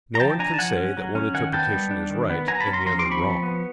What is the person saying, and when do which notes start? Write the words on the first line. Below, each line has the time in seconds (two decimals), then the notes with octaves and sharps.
No one can say that one interpretation is right and the other wrong.
0.15 A#5
0.20 F3 G5 A5
0.39 D4 G#5 A#5
0.54 A5
0.58 F3 F#5 G#5
0.77 C#4
0.97 F#3
1.15 C#4
1.34 D#3 F#5 G#5
1.53 B3 G5 A5
1.72 G3
1.91 D4
2.10 D#3
2.30 B3
2.48 F#3 G#5 A#5
2.60 A5 B5
2.67 C#4
2.73 A#5 C6
2.86 F3 A#5 C6
2.99 C6 D6
3.05 C4
3.11 B5 C#6
3.23 F3
3.43 B3